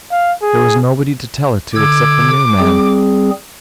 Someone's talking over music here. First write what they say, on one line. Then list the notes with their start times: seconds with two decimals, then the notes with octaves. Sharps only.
There was nobody to tell it to except the new man.
0.11 F5
0.42 G#4
1.75 D3 D6 E6 G#6
2.59 G3 C4 G#4